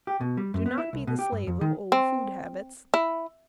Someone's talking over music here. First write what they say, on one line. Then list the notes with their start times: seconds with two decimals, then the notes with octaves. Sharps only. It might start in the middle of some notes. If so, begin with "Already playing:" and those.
Do not be the slave of old food habits.
0.07 G4
0.21 B2
0.37 G3
0.54 F#2
0.66 B3
0.78 E4
0.93 C2
1.07 B2
1.19 G4
1.32 G2
1.47 F2
1.61 D#3
1.92 C4
2.94 E4